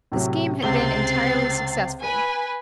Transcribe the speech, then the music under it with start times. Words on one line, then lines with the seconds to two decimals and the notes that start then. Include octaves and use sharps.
The scheme had been entirely successful.
0.12 A2 C3 F#3
0.62 C#2 C3 C4 A6 C7 G7
2.00 B4 G#5